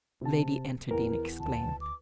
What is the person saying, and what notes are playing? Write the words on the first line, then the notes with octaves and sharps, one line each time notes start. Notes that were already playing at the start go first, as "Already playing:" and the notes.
Lady Enterdean exclaimed.
C3 C4 A5
E2 A#4
D2 A5
D6